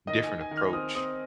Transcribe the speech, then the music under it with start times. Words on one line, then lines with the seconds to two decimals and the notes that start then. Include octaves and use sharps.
different approach
0.07 D#3 D#5
0.24 G#5
0.30 D#3
0.41 G#5
0.51 D#3
0.57 F6
0.73 C4 D#6
0.95 C4 D#6